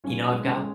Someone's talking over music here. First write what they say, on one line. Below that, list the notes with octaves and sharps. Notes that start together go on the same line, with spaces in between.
you know, I've got
B1 C#4
G#3
C#4
G#3